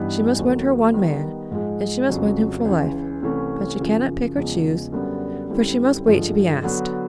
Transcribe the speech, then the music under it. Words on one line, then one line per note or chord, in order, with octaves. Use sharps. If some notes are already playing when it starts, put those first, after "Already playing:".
She must win her one man, and she must win him for life; but she cannot pick or choose, for she must wait to be asked.
Already playing: G2 E3 G3 B3 D#4
D#2 D#3 F#3 A3
D#3 G3 B3
G#2 F3 G#3
F2 C#3 F#3
C#2 C#3 E3
C2 C3 E3 A3 C#4
F#2 C#3 F3
E2 C#3 F3 G#3
F#2 D3 G3 B3 D4
F#2 D3 G3 C4 E4
G2 D3 F3 G#3
D3 F#3 B3